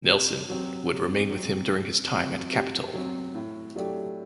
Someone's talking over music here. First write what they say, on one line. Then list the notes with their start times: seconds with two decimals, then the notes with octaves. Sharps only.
Nelson would remain with him during his time at Capitol.
0.08 C3
0.50 F#3 C4
0.90 C3
1.30 F#3 C4
1.71 C3
2.13 F#3 C4
2.53 C3
2.94 F#3 C4
3.35 A2
3.75 F#3 A3 D4 G4